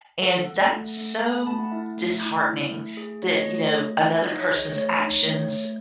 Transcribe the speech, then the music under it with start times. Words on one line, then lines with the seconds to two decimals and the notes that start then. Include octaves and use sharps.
and that's so disheartening that, you know, another person's actions
0.21 A4 F#5
0.46 A4
0.72 A3
0.97 A3
1.21 A4 G#5
1.35 B5
1.47 A3 A5
1.59 F#5
1.71 E4 E5
1.97 A3
2.22 E4
2.47 E4
2.72 A3
2.97 G#4
3.22 A3 C#5
3.36 D#5
3.48 A3 C#5
3.72 A3 D#5
3.97 E4 F#5
4.14 E5
4.23 D#4 D#5
4.39 C#5
4.48 G#4
4.56 D#5
4.72 A3 C#5
4.98 D#4
5.23 A3
5.48 A3